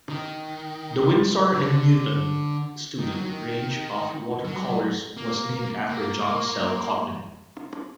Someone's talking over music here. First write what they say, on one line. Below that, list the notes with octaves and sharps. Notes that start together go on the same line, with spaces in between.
The Winsor and Newton student range of watercolours was named after John Sell Cotman.
D#3
D3
D#3
F#3
D#3
F#3
G3
F#3
A#3
A#3